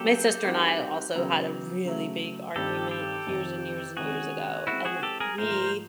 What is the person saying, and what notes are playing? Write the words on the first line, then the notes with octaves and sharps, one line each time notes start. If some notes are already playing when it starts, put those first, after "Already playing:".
my sister and I also had a really big argument years and years and years ago, and, like we,
Already playing: F#3 A#3 C#4 G4 A4
G3 C4 D#4 F#4 A#4
C#3 F#3 B3
C#3 F#3 A3
G2 D#3 G3 C4 D#4 G4 A4
G4 A4
F2 C3 D#3
C3 D#3 G#3 C#4 F#4 G#4
E3 G#3 C4 E4 F#4
F#4 G#4
G4 A4
G#4 A#4
G#2 F3 A3 A#4 C5